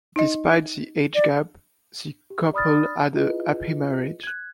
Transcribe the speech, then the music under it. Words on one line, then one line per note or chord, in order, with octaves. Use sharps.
Despite the age gap, the couple had a happy marriage.
D#4 D#5
D5
G4
D5 B5 D#6 F6 A6
E4 F4 G#4 B4 D#5
F#6 G#6